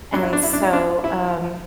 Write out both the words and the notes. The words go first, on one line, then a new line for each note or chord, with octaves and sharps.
And so, um,
F#2 F#3 D4
E4
D4
E4
D4
E4
D4
E4